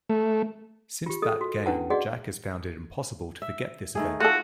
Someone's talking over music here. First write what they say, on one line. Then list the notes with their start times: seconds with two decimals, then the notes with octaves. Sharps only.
Since that game, Jack has found it impossible to forget this event.
0.09 A3
1.06 F4 G4
1.22 G#4 A4 D#5 D#6
1.41 F#4
1.66 C#4 D4 E4 B4 F#5 A5
1.90 F#4 G#4 D5 D#5 F#5
3.42 E5
3.95 D#3 A3 G#4
4.20 A3 F4 F#4 A4